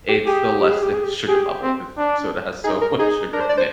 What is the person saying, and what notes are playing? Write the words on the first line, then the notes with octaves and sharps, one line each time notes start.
it's still less than sugar level, 'cause soda has so much sugar in it.
G4
G4 G#4
G4
G#4
G4
G#4
G4
G4 G#4
C4
D4
D#4 G#4
A#4
D#4 G#4
D4 A#4
C5
D5
C5